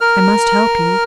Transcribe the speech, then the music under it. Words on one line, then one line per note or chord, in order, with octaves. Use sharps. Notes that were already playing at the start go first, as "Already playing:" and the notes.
I must help you.
A#4 F6